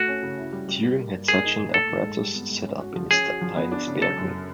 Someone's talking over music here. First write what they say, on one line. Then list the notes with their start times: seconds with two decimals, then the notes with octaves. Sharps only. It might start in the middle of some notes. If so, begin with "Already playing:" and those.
Turing had such an apparatus set up in his tiny spare room.
Already playing: A3 F#4
0.08 C#4
0.22 C#3
0.38 E4
0.52 G3
0.68 G3
0.83 G3
0.99 A#3
1.13 G2
1.28 A#3 G#4
1.44 D#4
1.59 A#2
1.74 A3 A4
1.89 G#2
2.05 G#2
2.20 G3
2.34 B3
2.50 G#2
2.65 C#4
2.81 F#4
2.96 F3
3.11 C#4 G#4
3.26 F#4
3.41 F3
3.56 B3
3.71 D4
3.87 C#3
4.01 F#3 A4
4.17 F#2